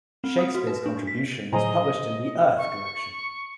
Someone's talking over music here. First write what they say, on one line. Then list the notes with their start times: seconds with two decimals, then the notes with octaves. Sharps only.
Shakespeare's contribution was published in the "Earth" collection.
0.24 C4
0.39 D#6
0.55 F#4
0.67 B4
0.86 D4
1.07 B6
1.52 A2 D3 F#3 G#4 C5 D#5 A#5
2.58 C#6